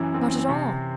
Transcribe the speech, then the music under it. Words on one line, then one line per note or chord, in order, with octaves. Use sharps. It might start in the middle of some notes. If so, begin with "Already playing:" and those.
Not at all.
Already playing: F#2 E3
C4
C3